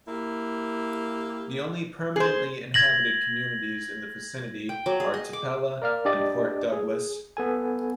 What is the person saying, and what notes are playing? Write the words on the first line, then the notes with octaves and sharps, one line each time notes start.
The only permanently inhabited communities in the vicinity are Tipella and Port Douglas.
A#3 E4 G4
G#4 C5
G#6 A#6 F#7
G5
F#3
G#4
D#5
D6
A#4 D5 F5 F6
D4 G4 D5 D#5
G#4
B3 A4 G#5